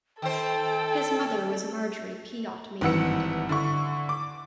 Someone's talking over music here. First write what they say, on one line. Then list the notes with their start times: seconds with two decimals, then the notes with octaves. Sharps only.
His mother was Marjory Pyott Maitland.
0.22 D#3 A4 C5 G5
2.81 G#1 G2 E3 F#5 E6 C#7
3.49 D3 E4 C#6
4.09 D6